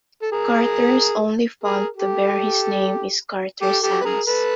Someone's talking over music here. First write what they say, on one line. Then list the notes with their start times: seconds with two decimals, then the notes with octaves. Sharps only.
Carter's only font to bear his name is Carter Sans.
0.22 A4
0.32 G#4 A#4
1.63 G#4 A#4
1.97 G4 A4
3.62 G4 A4
3.83 G4 A4
4.01 B4
4.05 G#4 A#4
4.27 A4 B4